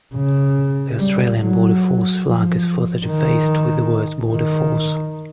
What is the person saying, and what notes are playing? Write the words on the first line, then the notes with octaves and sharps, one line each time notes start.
The Australian Border Force Flag is further defaced with the words "border force".
C#3
G3
F#3
F3
D#3
D#3